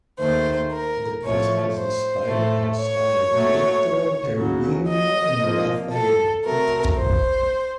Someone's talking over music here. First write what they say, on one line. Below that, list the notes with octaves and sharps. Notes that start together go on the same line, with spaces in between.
The painting was inspired by the style of Pietro Perugino and Raphael.
D#2 D#3 A3 C5
A#4
A2 F3 A3 C#5
C5
A2 A3
C#5
A#2 F#3 A3
D#2 C#3 F#3
D#5
C3 F3 A#3
A4
C3 F#3 A3 A#4
C5